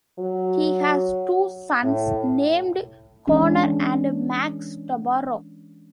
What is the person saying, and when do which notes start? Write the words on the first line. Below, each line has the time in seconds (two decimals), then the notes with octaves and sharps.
He has two sons named Connor and Max Tabarrok.
0.19 F#3
1.84 A2
3.27 E3 G#3 C#4 D4 G#4